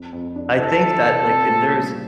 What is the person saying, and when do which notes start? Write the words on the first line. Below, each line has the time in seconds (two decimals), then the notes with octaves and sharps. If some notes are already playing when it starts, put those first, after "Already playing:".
I think that, like, if there's
Already playing: F2
0.13 F2
0.36 D4
0.59 E4 A4
0.81 E3
1.05 C3
1.27 C4
1.49 A#2
1.73 G3